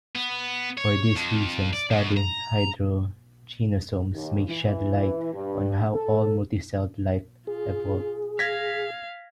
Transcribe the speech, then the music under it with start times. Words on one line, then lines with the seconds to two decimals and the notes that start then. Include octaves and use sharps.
For this reason, studying hydrogenosomes may shed light on how all multi-celled life evolved.
0.16 B3
0.77 C#5
1.16 F2
1.73 D5
1.91 F#2
2.17 A#5
4.14 D#2
4.45 E3
5.33 G2
5.93 A4
7.47 F4 G#4
8.39 F5 G#6 A#6 B6